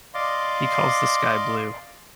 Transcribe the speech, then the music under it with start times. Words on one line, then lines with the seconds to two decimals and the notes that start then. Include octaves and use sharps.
He calls the sky blue.
0.14 D5 D#5 F5 C6 D6